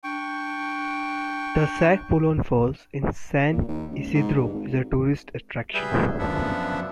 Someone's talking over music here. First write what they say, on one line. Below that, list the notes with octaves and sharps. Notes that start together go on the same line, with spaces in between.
The Sagpulon Falls in San Isidro is a tourist attraction.
D4 G5 C#6
A#2
D#2
C#2
G#2
G2
G#1
G3 G#4 B4 E5 G6
F#2 F3 B3 D4 E5 F#5